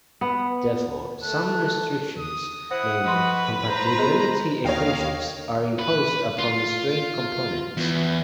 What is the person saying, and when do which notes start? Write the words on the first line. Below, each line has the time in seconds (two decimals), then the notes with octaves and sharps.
Therefore, some restrictions, named "compatibility equations", are imposed upon the strain components.
0.21 B3
1.22 A3 F#6
2.18 D#6
2.71 E4 C5 F#5 D#6
3.05 F3 F#4 B4 C6
3.68 C5 A#5
3.97 B3 G#4 D#5
4.65 D#2 C#5 D#5 F5 G5
5.79 B4
6.39 F4
7.77 E2